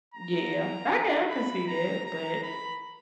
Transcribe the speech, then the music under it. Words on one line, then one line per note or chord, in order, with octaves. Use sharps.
Yeah. I can I can see that, but
A#5
B5
A#5
A#5
B5